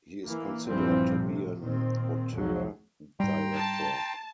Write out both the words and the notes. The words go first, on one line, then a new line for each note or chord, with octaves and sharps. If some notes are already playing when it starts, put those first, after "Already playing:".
He is considered to be an auteur director.
E3 A#3
A#1 G2 E3 F3 G3 C4
A2 C3
A#2 D#3 C4
C2 F2 F3 F#3
G#2 G3 G5 A#5 C6
A5